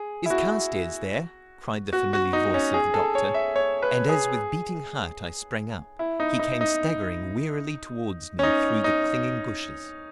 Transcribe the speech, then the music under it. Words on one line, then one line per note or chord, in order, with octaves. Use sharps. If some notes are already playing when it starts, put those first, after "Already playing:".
"Is Carstairs there?" cried the familiar voice of the doctor, and as with beating heart I sprang up, he came staggering wearily towards me through the clinging bushes.
Already playing: G#4
E4
F#4
F#4
F#4
D#4
C#4
G#4
A4
C#5
E5
C#5
B4
G#4
E4
D#4
D#4
D#4
C#4
D#4
D#4